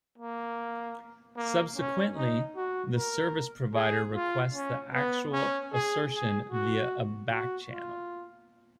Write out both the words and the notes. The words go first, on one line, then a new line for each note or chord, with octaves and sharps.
Subsequently, the service provider requests the actual assertion via a back channel.
A#3
A#3
C#4
D#4
F#4
A#4
G#4
F4
C#4
B3
C#4
G#4
G#4
F#4
F#4
F4